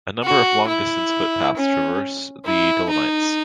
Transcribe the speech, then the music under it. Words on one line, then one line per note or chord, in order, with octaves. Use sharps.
A number of long-distance footpaths traverse the Dolomites.
F#4
E4
C#4
E4
D#4